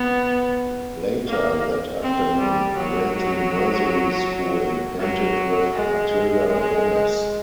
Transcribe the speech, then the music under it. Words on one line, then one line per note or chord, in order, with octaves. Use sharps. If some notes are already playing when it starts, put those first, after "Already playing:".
Later that afternoon, I went to nursery school and painted with Matilda Gomez.
Already playing: B3
A#3
C4
G3
F#3
F#3
G#3
G#3